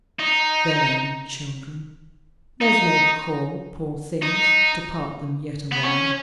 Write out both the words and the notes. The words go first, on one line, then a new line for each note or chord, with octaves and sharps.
"They're only children. There's no call, poor things, to part them yet awhile."
D#4
D#4
D#4
B3
C#4